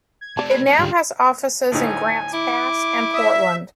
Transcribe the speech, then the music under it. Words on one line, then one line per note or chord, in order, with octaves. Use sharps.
It now has offices in Grants Pass and Portland.
G#6
C3 A3 D5 A5
B4 B5
F2 D#4
D2 G#2 G3 C#4 G5
D2 A2 D#4 G#5
E4 D6
E5 D#6